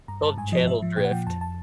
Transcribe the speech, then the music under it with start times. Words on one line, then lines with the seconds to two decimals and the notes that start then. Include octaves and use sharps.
it's called Channel drift.
0.08 G2 A#5
0.23 G2 A5
0.38 G#2 G#5
0.52 F3 D#5
0.67 G#2 E5
0.82 F3
0.96 A#2 G5
1.05 F#5
1.11 F3 G5
1.27 F2 A5
1.41 A5